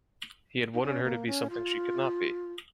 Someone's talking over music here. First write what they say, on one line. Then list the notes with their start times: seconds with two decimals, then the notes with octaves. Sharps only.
He had wanted her to be something she could not be.
0.74 D#4
0.82 C#4
1.04 A#3
1.27 C#4
1.50 F4